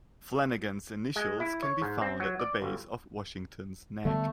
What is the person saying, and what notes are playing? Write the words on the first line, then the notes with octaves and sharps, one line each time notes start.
Flanagan's initials can be found at the base of Washington's neck.
G#3
E4
C#5
G#2
C4
F#3
D5
G1
D3 G3 A3 B3